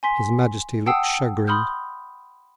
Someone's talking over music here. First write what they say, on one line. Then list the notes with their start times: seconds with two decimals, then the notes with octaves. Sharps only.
His Majesty looked chagrined.
0.03 G#5 C6 B6
0.86 F#5 G5 A5 D#6 E6 C7
1.47 B5 C6 D#6 F6 G6